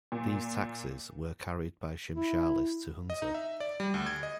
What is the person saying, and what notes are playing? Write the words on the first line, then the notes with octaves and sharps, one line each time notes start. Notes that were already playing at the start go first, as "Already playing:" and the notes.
These taxes were carried by Shimshalis to Hunza.
A#2
E4
D#5
D#4
E5
D5
G3
D2
G#6
D#5